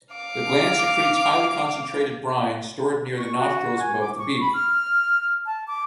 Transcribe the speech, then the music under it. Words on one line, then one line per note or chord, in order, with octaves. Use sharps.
The gland secretes highly concentrated brine stored near the nostrils above the beak.
F5 D6
C#6
F#4
G#5
D6
C#6
B5
F6
A5
D6